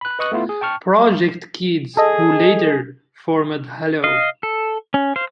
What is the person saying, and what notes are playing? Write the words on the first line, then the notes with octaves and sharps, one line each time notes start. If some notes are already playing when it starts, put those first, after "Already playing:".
Project Kids, who later formed Hello!
B5 F#6
B4 D#5 C#6 D#6 F#6
A3 B3 E4 F4
G#4
G5 A5 C#6 F6
G#4 A4 D#5
D#5 F5
A4
C#4
C5 F5